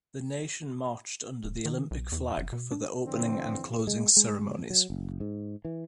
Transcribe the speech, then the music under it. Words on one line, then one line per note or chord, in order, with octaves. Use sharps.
The nation marched under the Olympic Flag for the Opening and Closing Ceremonies.
D1
D#3
B1
E2
F#1
B2
D4
F2 D3 E3 C4
G#3
G#3
F#3
F#1
G#2
E3